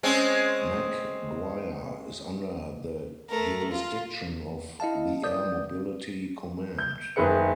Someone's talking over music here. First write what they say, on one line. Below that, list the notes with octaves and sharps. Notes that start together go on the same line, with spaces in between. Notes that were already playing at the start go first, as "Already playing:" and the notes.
McGuire is under the jurisdiction of the Air Mobility Command.
G#3 C4 C#4
A3 A#4
F4
E4 D#5 F5 A5
D5 D#6 G6
G6
F#1 D#3 G#4 B4 C#7